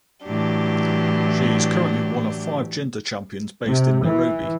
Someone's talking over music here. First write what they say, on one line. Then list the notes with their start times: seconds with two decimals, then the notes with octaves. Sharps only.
She is currently one of five Gender Champions based in Nairobi.
0.25 A2 E3 F#3 D4 G4
3.65 C3
4.03 E3